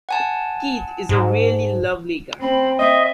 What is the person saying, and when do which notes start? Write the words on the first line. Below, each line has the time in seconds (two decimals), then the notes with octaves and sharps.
Keith is a really lovely guy.
0.09 F#5 G#5 A5
1.09 G#2
2.41 C4 B5
2.79 D#5 E5